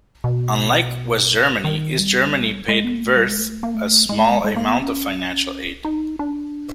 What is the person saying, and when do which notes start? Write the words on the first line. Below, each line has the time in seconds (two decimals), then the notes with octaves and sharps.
Unlike West Germany, East Germany paid Wirth a small amount of financial aid.
0.24 B2
1.64 D#3
1.99 G3
2.68 G#3
2.84 B3
2.94 A#3
3.04 A3
3.16 G3
3.28 G#3
3.39 A3
3.63 A#3
3.74 A3
4.09 G#3
4.21 A3
4.30 G#3
4.44 G#3
4.56 A#3
4.67 B3
4.79 C#4
5.85 D#4
6.19 D4